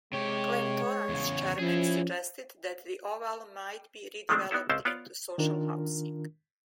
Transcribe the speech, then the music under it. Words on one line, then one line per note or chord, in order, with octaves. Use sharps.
Glentoran's chairman suggested that the Oval might be redeveloped into social housing.
C3 G#3 G4 C#5
E2 C#3
F3 C#4 E4 G#4
D#3 F3 G#3 A3 C4 D4
B3 D#4 E4 A4
C#2 C4 C#4 C5 A5
B3 F4 C#5 D5
D#3 D4 F4 A#4